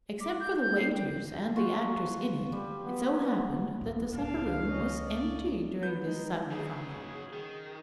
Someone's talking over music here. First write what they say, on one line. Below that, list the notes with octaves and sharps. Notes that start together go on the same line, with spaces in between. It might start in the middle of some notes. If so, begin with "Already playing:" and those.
Except for the waiters, and the actors in it, it so happened that the supper-room was empty during this sudden fracas.
D6
G6
G6
C7
G5
F4 F#4
G3
B3
D1
C#2 D4 F5
C#4 D#5
D5
B3 B4 G6
G#3 D#4
C#3 F#3 G#4
D#3